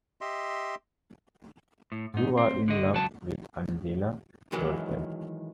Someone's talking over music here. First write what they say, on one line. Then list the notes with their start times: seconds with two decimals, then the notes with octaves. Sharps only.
You're in love with Angela yourself.
0.21 G4 D#5 E5 C6
1.92 A2
2.14 G#2 D#4
2.37 C4
2.68 D3 D#5
2.93 C#2 F#3 A5
4.52 D#3 E3 F#3 G#3